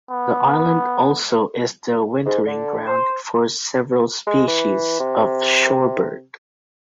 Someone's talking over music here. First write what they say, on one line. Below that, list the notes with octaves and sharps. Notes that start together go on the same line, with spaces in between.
The island also is the wintering ground for several species of shorebird.
B3
G#2
D3
C5
G#3
E3
C3